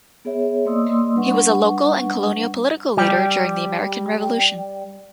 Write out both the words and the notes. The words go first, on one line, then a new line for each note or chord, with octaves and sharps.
He was a local and colonial political leader during the American Revolution.
B3 G#4 C#5 E5
A#3 D5 D#5 C6 D#6 E6
G3 D4 B4 F#5 C#6
G3 G4